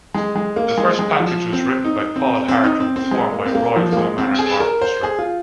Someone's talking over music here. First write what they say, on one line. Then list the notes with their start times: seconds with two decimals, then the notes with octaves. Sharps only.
The first package was written by Paul Hart and performed by Royal Philharmonic Orchestra.
0.14 G#3
0.36 G#3
0.56 A#3
0.78 G#3
0.99 G#3
1.20 F3
1.53 C4
1.84 D#4
2.16 C4
2.48 C4
2.64 D#4
2.80 C4
2.96 C4
3.11 G#3
3.33 A#3
3.46 C4
3.55 A#3
3.76 F3
3.92 A#3
3.97 G#3
4.18 C4
4.39 G#4
4.60 A#4
4.82 C5
5.03 G#4
5.19 F4